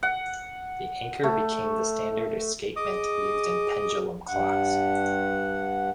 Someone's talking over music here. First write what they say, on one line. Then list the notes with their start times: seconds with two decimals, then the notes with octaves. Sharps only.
The anchor became the standard escapement used in pendulum clocks.
0.03 F#5
1.23 A3
2.76 G#4 D#5 D6 D#6
4.27 G2 F#5